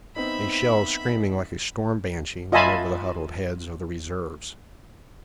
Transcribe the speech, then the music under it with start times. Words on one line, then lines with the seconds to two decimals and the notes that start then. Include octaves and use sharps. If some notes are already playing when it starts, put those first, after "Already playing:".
A shell screaming like a storm banshee went over the huddled heads of the reserves.
0.16 B3 C4 D#4 E5 B5
2.52 F4 D#5 E5 G#5 A5 B5